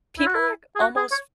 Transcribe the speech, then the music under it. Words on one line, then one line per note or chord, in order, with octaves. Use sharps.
people ark almost
E4
F#4
E4
G#4
F#4
G#4
C#5